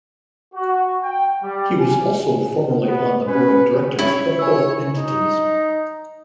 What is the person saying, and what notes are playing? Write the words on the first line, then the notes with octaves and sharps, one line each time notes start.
He was also formerly on the Board of Directors of both entities.
F#4
G5
G3
G#5
B3
C#4 B4
C#4 E4 C#5
C#5 G#5 E6
D#4